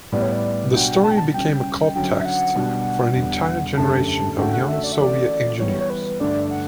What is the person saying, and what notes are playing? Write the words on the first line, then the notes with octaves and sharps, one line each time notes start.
The story became a cult text for an entire generation of young Soviet engineers.
A2 G3 B3 D5
C#5
D5
B2 G3 D4 F#4 G5
A5
G5
A5
C#3 G3 C#4 G5
D3 F#3 C#4 G5
E5
F#5
B2 G3 D4 F#4
E2 D3 G3
F#2 D3 A3 C#4 G4 A5
D3 A3 C#4 F#4 G5
F#5
E5
D5
E5
E3 A3 C#4 F#4 D5
E3 G3 B3 C#5
C#5
B4
G2 D3 A3 D4 D5
F#5